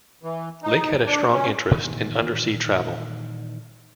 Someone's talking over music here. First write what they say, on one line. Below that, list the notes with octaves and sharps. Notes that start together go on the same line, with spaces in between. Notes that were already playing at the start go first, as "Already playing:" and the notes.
Lake had a strong interest in undersea travel.
E3
D#4
D4
C#4
A#2 D#3 E3 G3